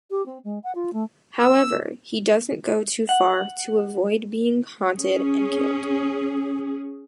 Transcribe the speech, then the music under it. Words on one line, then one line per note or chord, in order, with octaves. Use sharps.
However, he doesn't go too far to avoid being haunted and killed.
G4
C4
G#3
F#5
F4
A3
E6
F#5
C#4 G#4